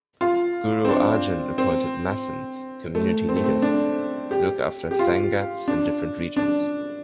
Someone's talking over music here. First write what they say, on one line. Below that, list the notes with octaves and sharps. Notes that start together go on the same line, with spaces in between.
Guru Arjan appointed masands, community leaders, to look after sangats in different regions.
F4
C4
D4
C4
A3
C4
A3
C4
D4
G4
G4
F4
D4
D4